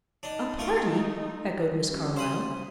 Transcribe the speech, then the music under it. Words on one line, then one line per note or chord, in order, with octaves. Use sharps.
"A party!" echoed Miss Carlyle.
D4 D#4
A3 D#4 F4 A#4
F#3 G3 C#4
C5 B5 D#6